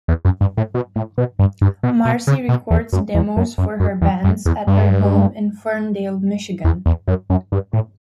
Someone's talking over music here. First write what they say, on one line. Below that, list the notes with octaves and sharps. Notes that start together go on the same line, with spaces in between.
Marcie records demos for her bands at her home in Ferndale, Michigan.
E2
F#2
G2
A2
B2
A2
B2
G2
G2
B2
B2
C#3
B2
E2
F#2
E2
F#2
F#2
F#2
E2
F#2
E2
G2
E2
E2
F#2
F#2
G2
A2